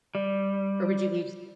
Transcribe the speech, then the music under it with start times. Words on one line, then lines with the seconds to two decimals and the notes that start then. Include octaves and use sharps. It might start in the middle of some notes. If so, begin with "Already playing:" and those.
or would you be
0.15 G3